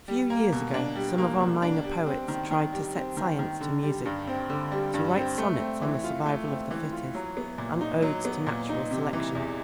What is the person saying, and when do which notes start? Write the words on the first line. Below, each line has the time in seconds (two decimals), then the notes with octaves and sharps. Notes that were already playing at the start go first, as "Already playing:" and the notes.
A few years ago some of our minor poets tried to set Science to music, to write sonnets on the survival of the fittest and odes to Natural Selection.
0.08 G3
0.30 A#3
0.52 B2
0.74 D4
0.96 G3
1.18 A#3
1.41 B2
1.62 D4
1.84 G3
2.06 C4
2.28 D#3
2.51 D#3
2.73 G3
2.95 C4
3.17 D#3
3.39 D#3
3.61 D3
3.83 G3
4.06 G2
4.27 C4
4.50 D3
4.72 G3
4.94 G2
5.16 C4
5.38 A3
5.59 C4
5.82 E3
6.04 F4
6.26 A3
6.48 C4
6.71 E3
6.92 F4
7.15 F#3
7.37 B3
7.58 A#2
7.81 D#4
8.02 F#3
8.25 B3
8.47 A#2
8.69 D#4
8.91 C3
9.13 E3
9.35 E2